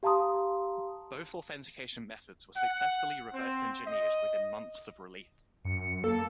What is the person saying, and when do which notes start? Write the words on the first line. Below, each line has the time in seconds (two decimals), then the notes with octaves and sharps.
Both authentication methods were successfully reverse engineered within months of release.
0.03 G4 F5 A5 A#5 C6 D#6
2.56 F#5
3.32 C4
3.87 D#5
5.65 F#2 C#7
6.04 A#3 A4